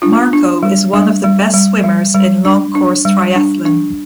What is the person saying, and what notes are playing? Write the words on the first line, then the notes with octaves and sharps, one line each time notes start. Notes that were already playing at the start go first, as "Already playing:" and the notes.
Marko is one of the best swimmers in long course triathlon.
D4 F4
D4
G3
G3 D4
G3
G3
G3
G3
D4
D4
G3
D4
D4